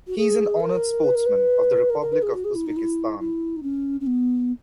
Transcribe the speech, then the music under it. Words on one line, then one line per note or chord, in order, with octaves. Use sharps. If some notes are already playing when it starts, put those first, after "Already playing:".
He is an Honored Sportsman of the Republic of Uzbekistan.
F#4
G#4
A#4
B4
A#4
B4
A#4
A#4
B4
G#4
F#4
G#4
E4
D#4
E4
E4
D#4
C#4
C#4
B3